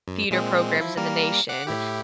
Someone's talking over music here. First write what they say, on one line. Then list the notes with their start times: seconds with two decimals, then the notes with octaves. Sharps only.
theater programs in the nation,
0.08 F#2
0.30 A#2 G#3 C4
0.80 F3 E4
0.97 G3 A#3 A#4
1.49 F#5 D6
1.67 A2 E4 G4